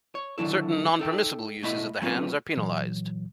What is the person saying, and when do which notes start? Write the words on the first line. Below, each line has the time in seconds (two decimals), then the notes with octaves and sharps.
Certain non-permissible uses of the hands are penalized.
0.15 C#5
0.38 D3 D#3 F#3 E4 A4
0.99 D#4 A4 G5
1.63 B2 A3 E4 D#5 B5
2.02 F#3 A3 C4 C#4 F4 B4
2.57 A#2 E3 F#3